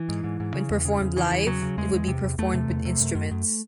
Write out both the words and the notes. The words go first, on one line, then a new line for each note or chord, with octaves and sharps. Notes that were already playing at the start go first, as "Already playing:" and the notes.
When performed live, it would be performed with instruments.
Already playing: E3
G#2
G#2
G#2
C#3
E2
C#3
E2
C#3 E3
E2
C#3 F#3
C#3
E2 G#3
E2
C3
E2
E2 A3
C3
E2
C3
F#2
F#2
F#2